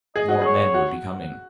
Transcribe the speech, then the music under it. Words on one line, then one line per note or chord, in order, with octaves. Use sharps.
More men would be coming.
G#4 D#5
F#4 D#5
G#4 C#5
F#4